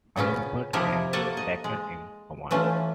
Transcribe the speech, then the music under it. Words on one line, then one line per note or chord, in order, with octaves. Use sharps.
Albert M. Sackett in command.
A#2 C#3 B3 C#4
C3 F3 D#4 E4 G4 A#4
A#3 F#4 A4 A#4 A5
D#5
G#3
E3 A3 C#4 F4